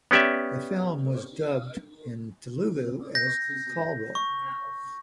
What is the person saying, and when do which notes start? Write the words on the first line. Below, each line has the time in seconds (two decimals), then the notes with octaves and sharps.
The film was dubbed in Telugu as "Call Boy".
0.11 B3 C#4 G4 D5 E5
3.15 G6 A#6
4.15 C#6